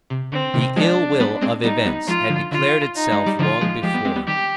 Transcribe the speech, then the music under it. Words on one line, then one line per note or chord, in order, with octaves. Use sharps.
The ill will of events had declared itself long before.
C3
D3 C4
C3 D#3
F3 G#3 D4
G3 B3
G#3 C4
G3 B3 D#4
G3 B3
F3 G#3 F4
D3 F3
D3 F4
D#4
G#3
G3
D3 F3 F4
F3 G#3
F3 G#3 G4
G3 B3
G#3 C4
G3 B3
D#3 G3 G4